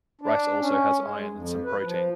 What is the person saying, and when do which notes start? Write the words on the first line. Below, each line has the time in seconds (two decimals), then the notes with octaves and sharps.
Rice also has iron and some protein.
0.21 D4
0.59 C#4
0.99 G#3
1.32 F2
1.64 B4
1.80 F3